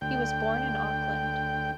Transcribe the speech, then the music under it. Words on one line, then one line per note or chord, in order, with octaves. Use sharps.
He was born in Auckland.
D2 G5